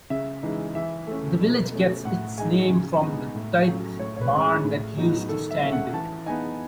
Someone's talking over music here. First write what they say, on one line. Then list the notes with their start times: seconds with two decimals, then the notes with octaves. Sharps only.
The village gets its name from the tithe barn that used to stand there.
0.10 C#3 E5
0.43 E3 G#3 D#4
0.75 E3 E5
1.07 A3 C#4
1.41 B2
1.72 A3 C#4
2.05 A2 F#5
2.38 G#3 D#4 G#5
2.70 C#3
3.02 G#3 B3 D#4
3.35 A2
3.67 F#3 A3 C#4
3.99 A2 C#5
4.16 C#5
4.21 B4
4.32 G#3 C#4
4.43 G#4
4.64 A2
4.97 F#3 B3 D#4
5.29 D#3 A4
5.51 E5
5.61 A3 C#4 E5
5.72 F#5
5.94 E3 A5
6.26 B3 D#4 G#5